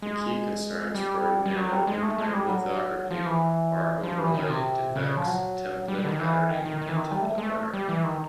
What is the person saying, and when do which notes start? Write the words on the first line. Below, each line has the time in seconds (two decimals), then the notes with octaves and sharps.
The key concerns for nanoimprint lithography are overlay, defects, template patterning and template wear.
0.02 G#3
0.94 G3
1.46 G3
1.56 F#3
1.72 G3
1.87 G#3
2.02 A3
2.18 G#3
2.33 G3
2.49 F#3
3.11 F3
3.26 E3
4.03 F3
4.18 E3
4.34 D#3
4.49 C3
4.95 C#3
5.17 F3
5.27 F#3
5.88 G3
5.98 G3
6.04 D3
6.09 D#3
6.19 E3
6.50 D#3
6.65 D#3
6.81 D#3
6.89 E3
6.96 D#3
7.11 G3
7.22 A3
7.38 G#3
7.43 A3
7.74 G3
7.89 E3
8.04 D#3